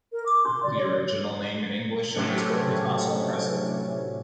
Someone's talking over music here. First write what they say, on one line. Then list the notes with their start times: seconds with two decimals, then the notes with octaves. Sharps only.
The original name in English of this book is not so impressive.
0.12 A#4
0.26 D6
0.44 C6
0.63 D5
0.78 C#5
2.15 A2 C3 F#3 A3 C#4 D4